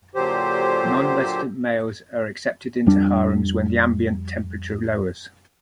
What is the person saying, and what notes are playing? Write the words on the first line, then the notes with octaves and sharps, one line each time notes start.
Nonresident males are accepted into the harems when the ambient temperature lowers.
A#2 D3 F#3 G4 C5
F2 G3 D4